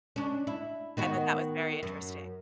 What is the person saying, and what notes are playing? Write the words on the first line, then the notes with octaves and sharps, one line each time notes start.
I bet that was very interesting.
C#4 D4
E4
D#3 B3 F#4
F#2